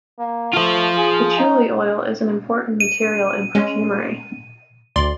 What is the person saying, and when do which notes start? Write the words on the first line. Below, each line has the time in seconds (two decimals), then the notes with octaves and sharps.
Patchouli oil is an important material in perfumery.
0.19 A#3
0.54 A3 F4 C5
0.97 G#4
1.38 D#4
2.80 D#7
3.55 G#3 C#4
4.96 D2 D5 C6